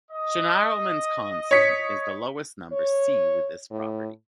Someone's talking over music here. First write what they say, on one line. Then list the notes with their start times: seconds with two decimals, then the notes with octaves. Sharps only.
Schnirelmann's constant is the lowest number C with this property.
0.11 D#5
1.51 C#5 B6 C#7
2.72 C#5
3.70 A2